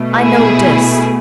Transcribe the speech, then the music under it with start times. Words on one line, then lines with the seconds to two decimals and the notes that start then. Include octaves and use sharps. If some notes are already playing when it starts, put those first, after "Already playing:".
I know this.
Already playing: B2 A3
0.15 E4 G#4